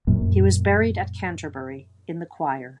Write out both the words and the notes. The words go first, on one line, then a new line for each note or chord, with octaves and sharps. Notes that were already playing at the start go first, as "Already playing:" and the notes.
He was buried at Canterbury, in the choir.
F#2 A#2